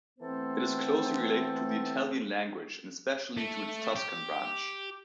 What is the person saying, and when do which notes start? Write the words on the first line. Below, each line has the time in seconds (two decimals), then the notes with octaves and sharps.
It is closely related to the Italian language and especially to its Tuscan branch.
0.19 E3 A3 B3 C4 A4 C5
3.37 A3
3.96 G4